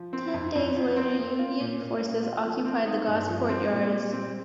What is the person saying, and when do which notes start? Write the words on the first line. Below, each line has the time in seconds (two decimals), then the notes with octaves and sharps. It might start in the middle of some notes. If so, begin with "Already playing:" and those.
Ten days later Union forces occupied the Gosport Yards.
Already playing: F3
0.13 C4
0.34 F2
0.55 F2
0.76 F3
0.96 C4
1.18 A#3
1.39 F4
1.60 A#2
1.81 A#2
2.03 A#3
2.23 F4
2.44 F3
2.65 C4
2.86 D#4
3.07 G2
3.29 F3
3.49 C4
3.71 A#2
3.91 G3
4.13 C4